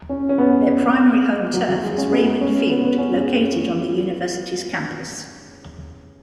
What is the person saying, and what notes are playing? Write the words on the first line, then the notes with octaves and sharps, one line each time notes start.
Their primary home turf is Raymond Field located on the University's campus.
C#4
C#4
B3
F#3
F#3
G#3
C#4
B3
C#4
B3
B3
C#4
G#3